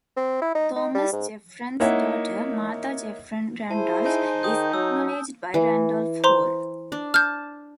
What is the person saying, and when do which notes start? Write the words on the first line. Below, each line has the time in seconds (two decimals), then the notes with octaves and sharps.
Thomas Jefferson's daughter, Martha Jefferson Randolph, is acknowledged by Randolph Hall.
0.17 C4
0.42 E4
0.55 D#4
0.76 D#4
0.95 G3
1.12 G#2
1.80 A#3 D#4 E4 C#5 E5 F#5
3.71 E4 G#4 C5 A5
4.05 D#4 G#5 A5
4.43 D#3 D#6 G6
4.73 F#3 E6
5.54 E3
6.24 C5 A#5 C6
6.92 D4
7.14 A5 F6 G6